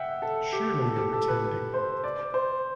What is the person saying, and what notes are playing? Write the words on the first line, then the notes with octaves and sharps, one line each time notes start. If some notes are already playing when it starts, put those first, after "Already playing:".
Surely you’re pretending.
Already playing: E5 F#5 G5
A4
G4
A4
G4
A4
B4
C5
D5
C5